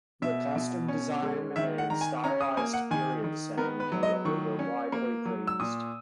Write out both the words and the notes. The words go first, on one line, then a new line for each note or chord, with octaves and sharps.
The costume design and stylized period setting however were widely praised.
B2 E5
B2
C#4
G#3
D#3 E5
F#5
D#3 A#5
G#5
C#4 A#5
D#6
A#3 G#5
F#5
D#3 G#5
D#3
B3 A#4
B4
F#3
D#5
D#3 C#6
C#4
A#3
F#3
E6
A#2 D#6